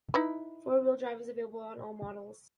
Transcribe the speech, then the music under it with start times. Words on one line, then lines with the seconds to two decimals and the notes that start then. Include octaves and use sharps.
Four-wheel drive is available on all models.
0.14 D#4 E4 B4